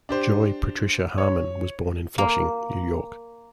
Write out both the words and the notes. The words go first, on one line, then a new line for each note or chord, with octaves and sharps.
Joy Patricia Harmon was born in Flushing, New York.
D4 G4 C5
C#5
A#3